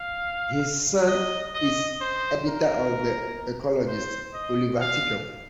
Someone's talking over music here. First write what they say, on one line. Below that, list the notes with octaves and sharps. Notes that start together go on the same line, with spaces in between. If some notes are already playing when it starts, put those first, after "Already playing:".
His son is editor of the Ecologist, Oliver Tickell.
Already playing: F5
D#5
D#5
C5
A#4
C5
D#5
F5